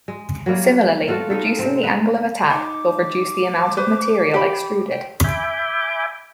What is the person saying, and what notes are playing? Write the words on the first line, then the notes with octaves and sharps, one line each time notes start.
Similarly, reducing the angle of attack will reduce the amount of material extruded.
G#3
F#3 G3 A#3 E4
F4 F#4 A4 F5
B3 D#4 A4
C3 C4
B3 B4
D#4 D6
B4 C5
G4 B5
G5
E5 G#5 B5 D6 G6